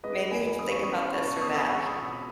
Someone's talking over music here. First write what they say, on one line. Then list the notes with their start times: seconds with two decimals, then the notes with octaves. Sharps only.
maybe think about this or that."
0.04 G#3 B4 D#5
0.31 E2 G#5 B5
0.59 C#4 D#6
0.71 C#6
0.83 C#4 B5 D#6
1.13 B2 A5 C#6
1.28 A5 C#6
1.41 B2 B5 D#6
1.55 B5 D#6
1.69 G#3 C#6 E6
1.87 B5 D#6
1.97 B2
2.05 B5 D#6